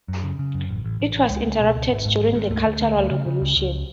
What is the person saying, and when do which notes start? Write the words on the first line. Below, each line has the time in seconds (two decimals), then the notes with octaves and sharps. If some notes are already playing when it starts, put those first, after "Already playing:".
It was interrupted during the Cultural Revolution.
0.08 F#2
0.23 C#3
0.39 C#3
0.54 F#2
0.69 A1
0.84 A1
1.00 A1
1.15 A1
1.30 C#2 G#3
1.45 C#2
1.60 B2
1.75 C#2
1.91 G#1
2.05 G#2
2.20 G#1
2.35 G#2
2.50 D2 A3
2.66 D2
2.81 D2
2.96 D2
3.11 C#3
3.26 C#3
3.41 C#2
3.56 C#2